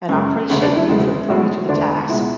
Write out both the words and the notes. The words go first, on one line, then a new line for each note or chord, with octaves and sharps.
and I appreciate you for putting me to the task.
F#2 C#3 G#3
E1 D2 C#3
D4
E4
E1 D2 C#3 G#3
B1 A2 G#3 F#4
E1 D2 D3 D4
C#2 B2 G#3 E4